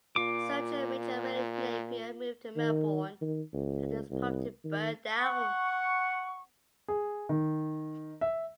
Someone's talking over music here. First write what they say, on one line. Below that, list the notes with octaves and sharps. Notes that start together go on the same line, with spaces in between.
Sergeant-Major William Napier moved to Melbourne after his property burnt down.
A#2 F4 D6
D#3
D#3
C#2
C2
D#3
F#5 C#6
G#4
D#3
E5